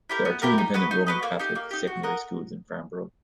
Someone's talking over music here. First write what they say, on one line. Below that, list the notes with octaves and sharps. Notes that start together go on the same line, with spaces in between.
There are two independent Roman Catholic secondary schools in Farnborough.
E4 G4 A#4
B3
E4 G4 A#4
D#4
F#4 B4 D#5
D#4
F#4 B4 D#5
A#3
D#4 G4
A#3
D#4 G4
F#4
A#4 D#5 F#5